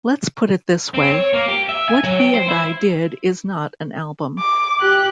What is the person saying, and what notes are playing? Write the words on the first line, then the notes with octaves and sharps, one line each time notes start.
Let's put it this way... what he and I did is not an album.
C4
C#5
A#3
G4
E5
G#5
F#3
G5
C5
E4
D6
G4 F#6